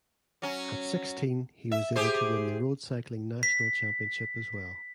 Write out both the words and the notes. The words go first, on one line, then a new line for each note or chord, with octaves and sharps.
At sixteen he was able to win the road cycling national championship as well.
F#3 C#4
E5
G4 G#4 C5
B6